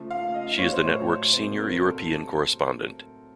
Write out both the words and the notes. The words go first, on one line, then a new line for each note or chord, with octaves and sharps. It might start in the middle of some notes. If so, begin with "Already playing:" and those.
She is the network's senior European correspondent.
Already playing: C#3 F3 A3
F5
D#5
A2 F#3 A3 C#5
C5
C#5
C3 F#3 A#3 C5
A#4
A4